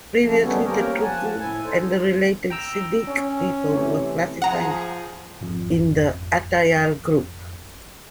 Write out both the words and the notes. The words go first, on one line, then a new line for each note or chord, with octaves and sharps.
Previously, the Truku and the related Seediq people were classified in the Atayal group.
C#3 F3 A3 A#3
D#3 G3 A3 B3 C#4
A#3 C4 C#4 G4 A#4
F3 F#5 G#5 A5
A2 E4 G#5
D#4 A4 C5
G5 A#5 E6
C#4
C3 E3 A3
F3 G#4 F#5 A#5
G#1 F2